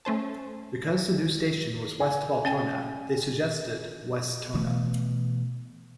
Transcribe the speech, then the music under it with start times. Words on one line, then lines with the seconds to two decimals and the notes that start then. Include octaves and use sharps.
Because the new station was west of Altona, they suggested Westona.
0.05 A3 C#4 C5 A5
2.00 G#5
2.45 C#4 G5
4.54 B2 E3 A3 B3